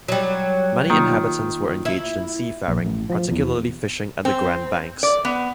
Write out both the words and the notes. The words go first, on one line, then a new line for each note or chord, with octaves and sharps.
Many inhabitants were engaged in seafaring, particularly fishing at the Grand Banks.
F#3 G3
D#3 A#3 F4
E4
A#1
A1
F3
E2
C4
D5
B3